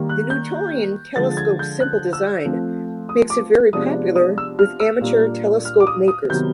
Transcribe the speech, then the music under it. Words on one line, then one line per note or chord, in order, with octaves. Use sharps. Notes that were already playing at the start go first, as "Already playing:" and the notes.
The Newtonian telescope's simple design makes it very popular with amateur telescope makers.
Already playing: D#3 G3 A#3
F#6
G6
D3 F3 G#3 A6
G#6
G6
F#6
E6
F3 A3 C4
D#6
D6
C3 F3 G#3 B3 D4 D#6
D#6
E6
F6
E6
A#2 G3 A#3 D4
F6
D6
D#6
D#6
C3 D#3 F#3 B3 G6